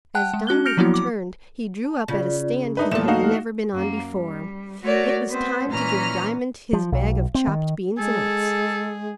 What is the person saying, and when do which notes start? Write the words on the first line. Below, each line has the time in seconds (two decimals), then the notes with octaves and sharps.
As Diamond returned, he drew up at a stand he had never been on before: it was time to give Diamond his bag of chopped beans and oats.
0.15 F#5 G5 A5 F#6
0.34 G#3
0.47 C#4 F#4 F#6 G7
0.66 F6 G6 A#6 C#7 D7 F7
0.77 F3 F#3 A#3 B3 E4 F#4
0.94 D6
1.84 A5
2.08 C#3 F4 D5
2.77 D4 D#4 A#4 B4 E5
2.91 E2 A#2 F3 A3 A#3 A4 E7
3.08 D#4 F#4 F5
3.73 F#2 A#3
4.13 G3
4.82 A3 F#4 A#4 C#5 D5
5.30 B3 C4 C5
5.68 A#2 E3 C#4 A#5 F6
6.73 F3
6.92 B1
7.35 C4
7.47 D#3
7.98 G#3 G#4 A4